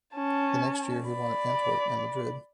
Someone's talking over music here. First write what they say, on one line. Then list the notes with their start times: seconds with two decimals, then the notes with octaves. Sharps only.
The next year he won at Antwerp and Madrid.
0.16 C#4 A5
1.07 D5 B5